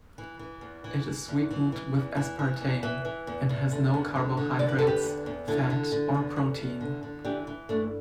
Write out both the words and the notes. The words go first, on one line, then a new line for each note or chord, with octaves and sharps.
It is sweetened with aspartame and has no carbohydrates, fat, or protein.
E3
E3
E2
E3
E3
E2
E3
E3
E2
E3
E3
E2
E3 B4 E5
E3
E2
E2
D3
E2
D3
D3
E2 D5
B4
A4
D3
G4 B4
E2
E2
D3 E4 A4
D3
D3
E2
E2
E2
D3
D3
E3 D4 G4
E3
G2 A3 D4